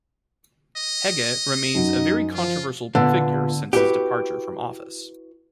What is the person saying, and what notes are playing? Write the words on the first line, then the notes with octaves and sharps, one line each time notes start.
Hege remains a very controversial figure since his departure from office.
D#5
F#2 F#3 D#4
F3 F4
A#2 D3 B3
E4 F#4 G4 B4